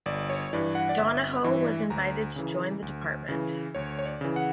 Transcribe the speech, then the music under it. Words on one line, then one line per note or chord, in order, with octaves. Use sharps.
Donahoe was invited to join the Dept.
G1 D5
C#5
G2 E3 D5
F#5
D5
G1 E5
G2 E3
D2 A#5
C#3 E3
D2
C#3 E3
D2 C#5
C#5
D5
C#3 E3
F#5